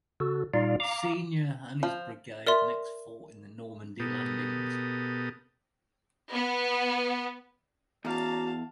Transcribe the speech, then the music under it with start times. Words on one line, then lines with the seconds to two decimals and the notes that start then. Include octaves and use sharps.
Senior and his brigade next fought in the Normandy landings.
0.20 C#3 F#4 A4
0.54 A#2 G3 D#4 F4 D5 F5
0.80 F5 A#5 D6
1.83 F3
2.46 A#4 D5 E5 C6
4.00 B2 B3 G4 A4 A#4 D#6
6.32 B3
8.05 E2 C#4 F#4 D5 F5 A5 A#5